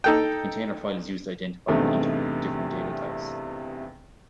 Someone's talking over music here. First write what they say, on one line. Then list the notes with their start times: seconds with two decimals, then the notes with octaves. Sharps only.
The container file is used to identify and interleave different data types.
0.04 D#4 A4 G5
1.68 E2 G2 C3 A3 D#4